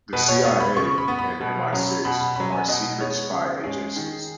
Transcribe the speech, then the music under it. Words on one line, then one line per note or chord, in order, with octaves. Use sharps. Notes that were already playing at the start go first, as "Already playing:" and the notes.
The CIA and MI-Six are secret spy agencies.
B2 B4
C#5
B3 C#6
B5
C#3 C#6
B5
B3
B5
B2
F#3 C#4
B2 B5
B5
F#3 C#4 B5
G#5
B2 D#5
G#3 B3 C#5
C#3
G#3 C#4 G#4
D#3